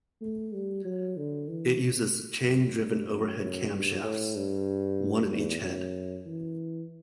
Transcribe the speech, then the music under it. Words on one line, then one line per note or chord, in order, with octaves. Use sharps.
It uses chain-driven overhead camshafts, one in each head.
A3
G3
F#3
D3
E3
C3
F#2
G2
F#2
F#2
G2
A2
G2
E2
F#2
E3